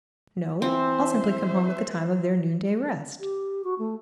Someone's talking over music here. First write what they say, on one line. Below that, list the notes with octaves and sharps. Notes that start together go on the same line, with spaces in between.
"No, I'll simply come home at the time of their noonday rest."
E3 C4 C5 E5
G4
F#4
A3